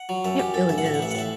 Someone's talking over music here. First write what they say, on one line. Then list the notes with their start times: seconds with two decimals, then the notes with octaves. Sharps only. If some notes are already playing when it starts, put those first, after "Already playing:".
It really is.
Already playing: F#5
0.09 F#3
0.24 F#2 E5
0.39 F#2 G4
0.54 F#2 A4
0.69 A1 E5
0.78 F#5
0.85 A2 E5
0.94 F#5
0.99 A1 E5
1.11 F#5
1.15 A2 E5